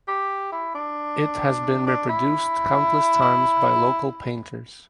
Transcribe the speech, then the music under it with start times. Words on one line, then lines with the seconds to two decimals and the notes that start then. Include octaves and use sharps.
It has been reproduced countless times by local painters.
0.08 G4
0.52 E4
0.75 D4
1.87 D4
2.09 E4
3.22 E4